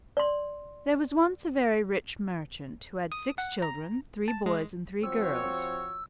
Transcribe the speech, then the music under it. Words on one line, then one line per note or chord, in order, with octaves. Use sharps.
There was once a very rich merchant, who had six children, three boys and three girls.
D5 C6
D#6
F#5
A#5
A5
G#3
F3 C4 F#4 C#5 E6